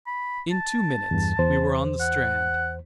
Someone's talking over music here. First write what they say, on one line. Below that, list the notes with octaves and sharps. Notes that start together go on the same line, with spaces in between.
In two minutes we were on the strand.
B5
A5
E2 G2
E2 C5
F#5